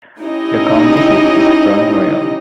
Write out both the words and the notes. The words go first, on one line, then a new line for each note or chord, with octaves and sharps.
The county seat is Front Royal.
C#4 D#4 E4 G4 D#5